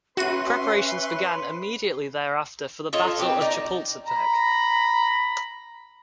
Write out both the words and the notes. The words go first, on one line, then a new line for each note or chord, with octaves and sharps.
Preparations began immediately thereafter for the Battle of Chapultepec.
C#4 F#4 B4 E5 C6 C#6 F#6 D#7
F4 A4 C#5 D#5
C4 G4 B4
D#4 D5
A#5 B5